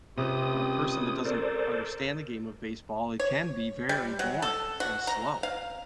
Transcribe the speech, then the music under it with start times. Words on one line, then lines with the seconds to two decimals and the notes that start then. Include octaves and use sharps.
uh, person that doesn't understand the game of baseball, it can be very boring and slow.
0.18 C#2 C3 G4 D#6
1.25 A4 A#4 C5 D5
3.19 C#5
3.89 G3
4.19 F#3
4.42 A4
4.80 F#4
5.07 A#5
5.43 F5